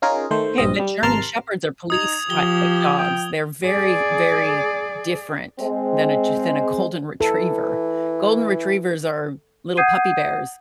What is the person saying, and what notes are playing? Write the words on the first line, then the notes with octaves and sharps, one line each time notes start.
Okay, but German Shepherds are police type d dogs. They're very, very different than a Ge than a Golden Retriever. Golden Retrievers are little puppy bears.
C#4 D#4 F4 G#4 A#4
D#3 A3 C5
A#1 G2 C4 D#5
G3
G#1 C3 A#4 A5 C6 F6
D#4 D#6 G#6 F7
F3 G4 G7
G5
G#4 D5
G#3 C4
E3 A4
F#5 D#6 G6 G#6 C7 D#7